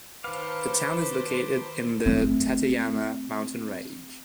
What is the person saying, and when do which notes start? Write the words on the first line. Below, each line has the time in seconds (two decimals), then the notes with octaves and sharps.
The town is located in the Tateyama Mountain Range.
0.24 D#3 B4 C5 F5 A5 D6
2.06 A3 C4